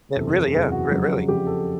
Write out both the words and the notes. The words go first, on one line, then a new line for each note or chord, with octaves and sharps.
But really, yeah, r really.
F#1 E2 C3 A4
A4
F#1 E2 C3 G#4
F#4
F2 C#3 F#3 F#4
F2 C#3 F#3 G4
A4